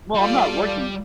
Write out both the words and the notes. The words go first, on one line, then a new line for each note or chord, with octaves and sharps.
Well, I'm not working
G3 F4 A4 D5